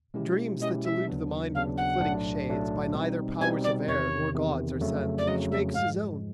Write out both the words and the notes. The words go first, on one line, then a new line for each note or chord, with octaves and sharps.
Dreams that delude the mind with flitting shades By neither powers of air nor gods, are sent: Each makes his own!
B2 G#3 C#4 E4 G4
B2 G#3 C#4 E4 G4 D#5
E5
D#2 C#3 F#3 B3 D4
D#2 C#3 F#3 B3 D4 F5
F#5
B1 A2 F#3 A3 D4
B1 A2 F#3 A3 D4
B2 G3 C4 D#4
B2 G3 C4 D#4 G#5
D5
E2 C3 D#3 C#5
E2 C3 D#3
F2 C#3 F#3 A3
D5
F2 C#3 F#3 A3 D#5
E5
G#2 F3 G#3 F5